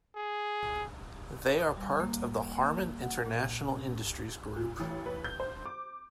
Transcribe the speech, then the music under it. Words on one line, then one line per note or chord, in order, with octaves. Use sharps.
They are part of the Harman International Industries group.
G#4
D#6
G3
A#3
A#3
F#5
A#2
C#4
A#2
A1
B4
G6
C5
D6